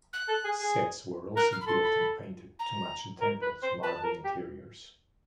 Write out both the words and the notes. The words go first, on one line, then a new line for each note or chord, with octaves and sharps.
Sets were also built and painted to match the Temple's marble interiors.
F#6
A4
G#4
G#4
A#4 F#6
F6
B5
A4 C6
B5
A#5
A#4
B4
C5
B4 A5
A#4
G4